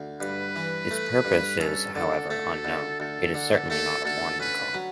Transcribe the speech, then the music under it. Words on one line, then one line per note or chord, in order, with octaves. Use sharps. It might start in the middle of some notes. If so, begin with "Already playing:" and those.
Its purpose is, however, unknown; it is certainly not a warning call.
Already playing: D2
G2 B4
E3
A3
G2
C#4 A4
D3 A4
A3 A4
D2
D2 A4
D3
A3 A4
D2 A4
C#4 B4
F#3